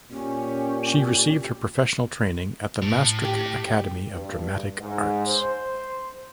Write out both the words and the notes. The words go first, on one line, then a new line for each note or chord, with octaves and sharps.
She received her professional training at the Maastricht Academy of Dramatic Arts.
A#2 C#4 G4
A2
G4
G2
G#2
C5